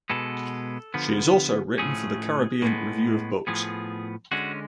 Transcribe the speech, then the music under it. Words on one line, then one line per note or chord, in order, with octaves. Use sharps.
She has also written for the "Caribbean Review of Books".
B2 G#3 B3 A4
D3 F3 B3
A2 F3 A3 C#4 G#4
A2 G#3 B3
A2 F3 B3 G#4
D3 G#3 C#4 F#4